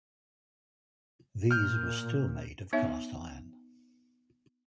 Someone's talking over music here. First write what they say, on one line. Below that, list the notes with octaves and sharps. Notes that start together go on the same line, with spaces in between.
These were still made of cast iron.
A#2 F6 G6
B3 D#4 C#5 E5